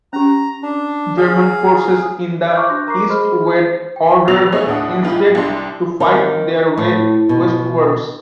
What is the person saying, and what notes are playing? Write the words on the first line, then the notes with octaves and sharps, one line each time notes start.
German forces in the east were ordered instead to fight their way westwards.
C#4 G4 A#5
D4
G#4 F5
C5 A5 C#6 D6 F6 G6
D4 F#4 C6 F#6 G6 A#6
A#4 A#5 C#6 D6 C7
G#4 C5 D#5 B5 C6 F6
C5
G5
G2 B2 F#6 A6 C7 F7
A3 B3 D#4 G#4 C#5 D#5
D#2 A2 D4 F#5 D#6
G#2 E3 F4 G5 B5
C2 D4 C6
D#3 C4
A2
B2